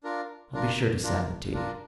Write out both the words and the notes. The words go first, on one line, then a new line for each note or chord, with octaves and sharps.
I'll be sure to send it to you.
D4 F4 A#4
D4 F4 A#4
D4 F4 A#4
D4 F4 A#4